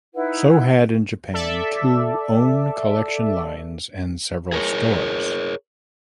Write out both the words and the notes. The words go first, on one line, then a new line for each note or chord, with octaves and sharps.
So had in Japan two own collection lines and several stores.
D#4 E4 B4 F#5
A4 D5 E5
G#4 A#4 C#5